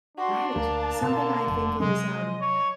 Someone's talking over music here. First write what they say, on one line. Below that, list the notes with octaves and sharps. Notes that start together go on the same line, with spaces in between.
Right. Something I think is, um,
D4 F#4 C6
D2 A#3 A5
B2 D3
F1
C3 F#3 G#3 C#4 D#5
C#5